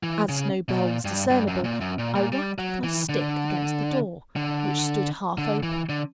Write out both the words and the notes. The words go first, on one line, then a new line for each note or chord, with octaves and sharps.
As no bell was discernible, I rapped with my stick against the door, which stood half open.
E3
C#3
B2
A#2
G2
G2
F#2
A#2
F#2
A#2
A#2
G3
F#3
E3
D3
D3
D3
E3
D3